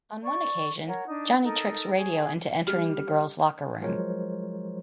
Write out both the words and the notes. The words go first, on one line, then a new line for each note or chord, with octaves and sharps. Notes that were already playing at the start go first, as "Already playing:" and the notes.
On one occasion, Johnny tricks Radio into entering the girls locker room.
D5 C#6
A#4 C#5 F#5
D4 D#4
D#4 A4 A#4
G#4 C#5
G3 F6
F3 F#3 G#3 A#4 C5 C#5